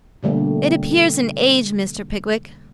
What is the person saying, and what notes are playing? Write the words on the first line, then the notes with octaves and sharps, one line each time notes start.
It appears an age, Mr. Pickwick.
B2 D3 G3 A3 A#3